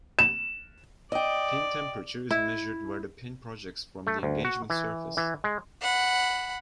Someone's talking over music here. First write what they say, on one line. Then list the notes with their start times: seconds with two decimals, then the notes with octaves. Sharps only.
Pin temperature is measured where the pin projects from the engagement surface.
0.19 E7
1.12 D5 D#5 G5
2.31 E4
4.07 A3
4.23 D2
4.45 F#4
4.70 E3
5.17 E3
5.44 G#3
5.82 F#5 B5